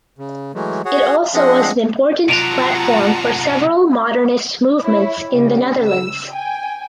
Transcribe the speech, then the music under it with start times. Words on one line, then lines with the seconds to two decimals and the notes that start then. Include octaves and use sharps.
It also was an important platform for several modernist movements in the Netherlands.
0.19 C#3
0.55 E3 F#3 G#3 A3
0.85 F#4 G#4 C#5 F#5
1.34 F3 C4 D4 G#4 D#5 F#5
2.29 C3 F#3 F4 F#5 A5 A#5 D7 F7
4.83 E4 C#5
5.29 C#3 G3
5.85 E6
6.30 G5 G#5